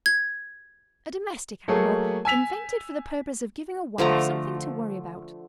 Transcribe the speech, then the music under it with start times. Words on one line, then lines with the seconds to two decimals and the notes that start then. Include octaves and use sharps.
A domestic animal, invented for the purpose of giving a wife something to worry about.
0.06 G#6
1.68 F#3 A3 A#3 G#4 C#5
2.25 G#5 E6 B6 F7
3.98 D3 F3 A3 A#5